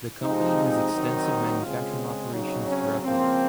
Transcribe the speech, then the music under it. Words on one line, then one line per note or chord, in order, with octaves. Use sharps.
The company has extensive manufacturing operations throughout the world.
C3 F3 G#3 C4 D#4
D#3 F#3 C4
C#3 G#3 C4 F4
C#3 F#3 C4 D#4
C#4
C#3 F3 A#3 C4